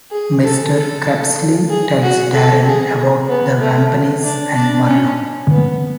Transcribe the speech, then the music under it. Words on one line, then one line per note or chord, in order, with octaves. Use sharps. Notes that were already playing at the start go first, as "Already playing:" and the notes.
Mr. Crepsley tells Darren about the Vampaneze and Murlough.
G#4
A4
A4
G#4
F#4
A4
G#4
B3
A3
D4
D4
C#4
B3